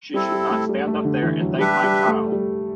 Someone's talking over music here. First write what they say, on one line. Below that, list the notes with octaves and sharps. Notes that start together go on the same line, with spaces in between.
She should not stand up there and thank my child.
G3 C4 E4 A4
G3
A3
G3
A3
D3
E3
F#3
G3 D4 G4 B4 E5
G3
A3
G3